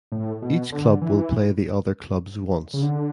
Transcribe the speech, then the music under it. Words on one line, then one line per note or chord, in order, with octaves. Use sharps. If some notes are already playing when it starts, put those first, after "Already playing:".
Each club will play the other clubs once.
A2
B2
D3
E3
C#3
D3